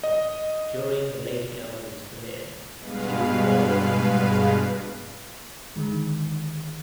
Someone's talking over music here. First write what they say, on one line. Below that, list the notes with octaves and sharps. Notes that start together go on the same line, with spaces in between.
During the "Lady Elgin's" career she was involved in numerous accidents.
D#5
G2 B2 G#3 B4 F5
D3 D#3 G#3